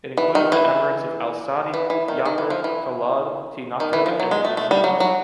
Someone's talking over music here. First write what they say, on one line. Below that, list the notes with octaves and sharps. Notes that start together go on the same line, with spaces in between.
It included the emirates of Al Saadi, Yaher, Kalad, Thi Nakheb and the Yezidis.
E3
D#3
E3
E3
E3
D#3
D#3
E3
F3
E3
D#3
E3
F3
F#3
G#3
A3
A3
G3
F#3
F#3